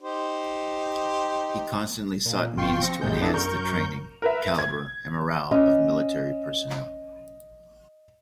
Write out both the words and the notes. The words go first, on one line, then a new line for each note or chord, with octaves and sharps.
He constantly sought means to enhance the training, caliber, and morale of military personnel.
D#4 G4 C5
A#2
G1 B2 F4 G5 C6 C#6
F3 C4 A#6 C#7
A#1 F#2 A2 C3 G#3 G6
B3 D4 E4 G#4 A4
F#2 A#4 C#6 G6
A#4 B4 E5
G#6
C#4 D#5